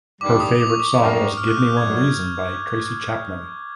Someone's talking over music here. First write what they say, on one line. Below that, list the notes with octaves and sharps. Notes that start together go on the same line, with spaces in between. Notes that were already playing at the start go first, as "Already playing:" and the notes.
Her favourite song was "Give Me One Reason" by Tracy Chapman.
G2 D#3 G3 D6
D#6
D6
C#6
D6
F#2 D3 G3 A#3
F6
F#6
G6
F#6
F#2 D3 F#3 G#6
G#6